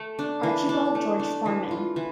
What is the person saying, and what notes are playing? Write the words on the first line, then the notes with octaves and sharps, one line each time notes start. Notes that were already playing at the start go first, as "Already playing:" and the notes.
Archibald George Forman.
Already playing: A3
D4
E3
D4
A3
D4
E3
F4
E3